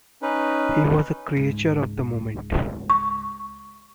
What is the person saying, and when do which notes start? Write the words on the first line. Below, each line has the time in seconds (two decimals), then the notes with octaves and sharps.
He was a creature of the moment.
0.22 C#4 D#4 B4
1.36 C#2 G#2
2.90 C#6